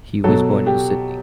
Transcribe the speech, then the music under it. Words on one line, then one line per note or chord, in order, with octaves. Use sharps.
He was born in Sydney.
B2 F#3 A4
G4